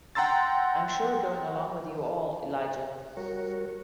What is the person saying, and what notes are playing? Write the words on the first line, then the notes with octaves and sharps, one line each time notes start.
I'm sure going along with you all, Elijah.
F#5 G5 A#5 C6 E6 A6
G3 F#4 A#4 C#5